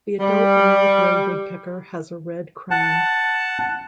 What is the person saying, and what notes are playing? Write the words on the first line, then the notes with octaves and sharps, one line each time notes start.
The adult male grey woodpecker has a red crown.
G3
F#5 A5